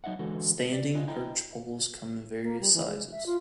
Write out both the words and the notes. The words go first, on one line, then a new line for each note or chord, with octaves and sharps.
Standing perch poles come in various sizes.
F#3 D#4 D#5 E5 F#5
D3 E3 G#3 F#4 A4
D5
C4 D4 F4 D#5 G#5
D4 E4 C5 D#5 G5 A#5
A#3
G3
E3
G#3
E5
F4